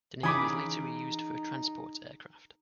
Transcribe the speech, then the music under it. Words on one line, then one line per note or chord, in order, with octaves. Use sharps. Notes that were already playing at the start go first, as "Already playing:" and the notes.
The name was later re-used for a transport aircraft.
C#3 E3 D#4 G#5 B5 D6 D#6